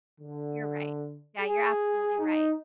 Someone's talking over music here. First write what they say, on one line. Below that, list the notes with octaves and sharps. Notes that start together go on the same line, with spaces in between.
You're right. Yeah, you're absolutely right.
D3
G#4
D#4